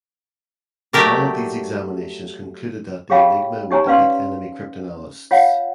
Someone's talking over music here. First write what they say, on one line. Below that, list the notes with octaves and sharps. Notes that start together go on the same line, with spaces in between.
All these examinations concluded that the Enigma would defeat enemy cryptanalysts.
F#3 A3 G4 A#4 D5
G4 G#4 C#5 F5 G5 B5
D#4 G4 C#5 G#5 A#5
C#4 B4 D5 F5 C6
F4 C#5 F5 F#5